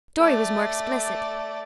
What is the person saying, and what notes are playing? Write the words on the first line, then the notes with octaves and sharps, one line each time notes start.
Dorry was more explicit.
A3 D5